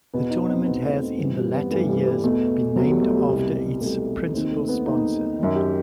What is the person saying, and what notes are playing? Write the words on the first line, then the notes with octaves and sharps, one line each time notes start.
The tournament has in the latter years been named after its principal sponsor.
E2 B2 B3
D#4
C4
E2 B2 B3
A3
B3
G2 E3 C4
G3
B3
G2 E3 A3
G3
G3
E2 B2 A3
E2 B2 F#3
G3
A3
G3
C2 B2 G3
C2 B2 A3
D#2 D#3 C4
A3
B3
D#2 D#3 D#4
F#2 D#3
G4